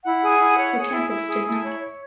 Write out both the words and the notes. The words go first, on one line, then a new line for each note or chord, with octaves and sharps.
The campus did not.
E4 F#5
G#4
E4
C#5
G#4
E4
E4
G#4
E4
C#5
C#5